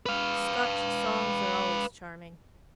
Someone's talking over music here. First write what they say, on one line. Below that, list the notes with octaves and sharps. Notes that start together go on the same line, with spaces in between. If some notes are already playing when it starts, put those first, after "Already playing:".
Scotch songs are always charming.'
B4 F5